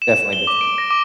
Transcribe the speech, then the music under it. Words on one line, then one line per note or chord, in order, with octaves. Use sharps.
Definitely before.
E7
E7
G7
D6
D7
A#6
D6